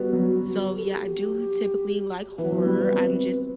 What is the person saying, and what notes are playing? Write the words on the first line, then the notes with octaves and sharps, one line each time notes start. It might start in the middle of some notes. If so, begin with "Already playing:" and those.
so yeah, I do typically like horror, I'm just
Already playing: G3 B3 F#4
F#3
G4
A4
G4
E3 B4
F#3
G3
B3
C4